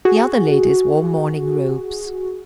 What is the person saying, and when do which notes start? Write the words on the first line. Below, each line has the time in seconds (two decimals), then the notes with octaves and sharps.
The other ladies wore morning robes.
0.05 F#4 G#4